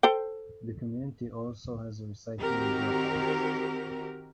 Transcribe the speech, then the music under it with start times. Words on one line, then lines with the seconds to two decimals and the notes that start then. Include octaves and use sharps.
The community also has a recycling drop off.
0.03 A4 C5 G5
2.40 D#3 C4 F#4 G4 A#4